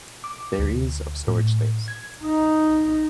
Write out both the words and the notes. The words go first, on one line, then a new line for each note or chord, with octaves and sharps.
There is of storage space.
D6
D2
A2
G#6
D#4